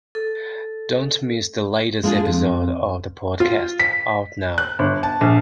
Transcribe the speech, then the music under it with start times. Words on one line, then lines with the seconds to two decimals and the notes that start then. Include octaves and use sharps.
Don't miss the latest episode of the podcast. Out now!
0.15 A4
2.03 G#3 A#3 D4 F4 G#4
2.26 F2
3.40 F4
3.80 B6
4.58 F#6
4.79 G1
5.03 A5
5.21 A#1